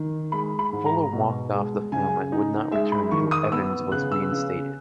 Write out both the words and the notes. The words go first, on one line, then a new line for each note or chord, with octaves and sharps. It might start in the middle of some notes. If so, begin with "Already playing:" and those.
Fuller walked off the film and would not return until Evans was reinstated.
Already playing: D#3
G#3 B5
B5
G#2
A#5
B2
G#3
C#3 G#5
D#4
G#3 E5
B5
D#3 C#6
D#6
B3 E6
C#3 F#6
E6
C#3